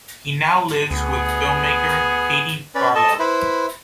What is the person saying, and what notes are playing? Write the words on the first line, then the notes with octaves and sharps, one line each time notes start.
He now lives with film-maker Katie Barlow.
D2 B3 G#4
C#4 B4 D5
A4 D#5 A5
E4 B4 C5